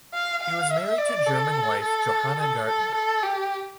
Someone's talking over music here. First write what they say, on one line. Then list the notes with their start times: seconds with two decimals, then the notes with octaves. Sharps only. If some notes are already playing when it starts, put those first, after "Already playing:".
He was married to German wife Johanna Gaertner.
0.14 F5
0.42 F5
0.70 E5
0.98 D5
1.26 A4
1.82 A4
2.39 A4
2.66 A4
2.94 A4
3.23 G4